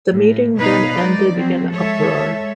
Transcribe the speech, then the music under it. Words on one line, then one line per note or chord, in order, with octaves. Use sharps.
The meeting then ended in uproar.
A2
B2 D#4 B4 C#5 D#5 F5
G#3 D#4 D5
F3 F#3 C4
G#3 A4 C#5 E5